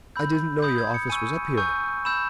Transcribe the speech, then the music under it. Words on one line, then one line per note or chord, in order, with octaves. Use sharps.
"I didn't know your office was up here."
B5 E6 G6
B5 D#6 G6
G#6
C#7
G#5 C#6 E6 D#7
G#5 C#6 E6 G6
B5 E6 G6 E7